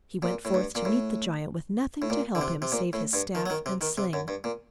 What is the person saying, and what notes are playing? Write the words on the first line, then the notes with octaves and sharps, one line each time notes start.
He went forth to meet the giant with nothing to help him save his staff and sling.
A#2
A2
G2
A#2
A2
A2
A#2
D3
C3
C3
A#2
A2
G2
D#3
F#3
D#3
C3
D#3
C3
F#2
G2
A#2